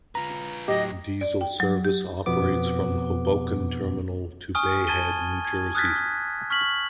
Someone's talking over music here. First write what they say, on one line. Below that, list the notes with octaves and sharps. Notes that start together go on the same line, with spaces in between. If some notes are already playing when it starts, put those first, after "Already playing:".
Diesel service operates from Hoboken Terminal to Bay Head, New Jersey.
F4 B4 A#5
A2 F#3 G4 D#5
D5
G5
F#3
G4
F2 B2 F3 B3 D6
G#5 C#6 D#6 F6
A5 G#6 A6 D#7 G7
G#6
D#6 F6 F#6 G#6 A6 B6
C#6 F6 B6 F#7